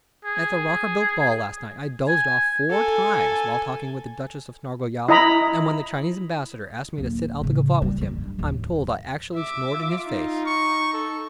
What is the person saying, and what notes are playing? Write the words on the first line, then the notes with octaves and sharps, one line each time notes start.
At the Rockerbilt ball last night I dozed off four times while talking with the Duchess of Snarleyow, and when the Chinese Ambassador asked me to sit out the gavotte with him I'm told I actually snored in his face.
G#4
G#5
A4 G#5
E4 D#5 A#5 B5
D1 A#3
A2 C#3
G3
D#3
G2
D1 D#2
E5 D6
F4
D#4
C#6
A4